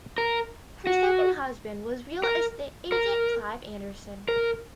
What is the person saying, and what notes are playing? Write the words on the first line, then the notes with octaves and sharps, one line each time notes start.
Her second husband was real estate agent Clive Anderson.
A#4
F#4
A#4
A#4
A#4